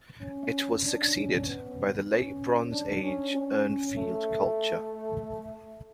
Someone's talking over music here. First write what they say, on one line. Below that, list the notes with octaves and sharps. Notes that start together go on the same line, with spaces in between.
It was succeeded by the Late Bronze Age Urnfield culture.
C#4
D4
C#4
B3
C#4
D4
C#4
C#4
A3